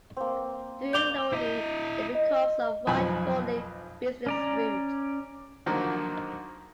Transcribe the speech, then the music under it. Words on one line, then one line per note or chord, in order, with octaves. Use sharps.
Through Lodi it becomes a wide four lane business route.
A#3 C4
D5 D6 G6 F7 G7
E4 D#5
D#5
B1 F2 C4 G#5 B5
C#4 D5 A#5
D3 D#3 F3 F#3 A#3